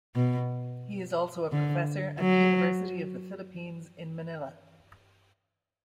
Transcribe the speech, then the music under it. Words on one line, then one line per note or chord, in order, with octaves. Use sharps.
He is also a professor at the University of the Philippines in Manila.
B2
D3
F#3